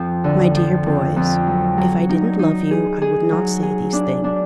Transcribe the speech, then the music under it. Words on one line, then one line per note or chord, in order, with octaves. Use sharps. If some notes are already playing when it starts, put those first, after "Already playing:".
'My dear boys, if I didn't love you, I would not say these things.
Already playing: F2 F3
D3
F3
F2
F2
F#3
F#3
D#4
D#4
G#4
G#4
F#3
G#4
D4
D4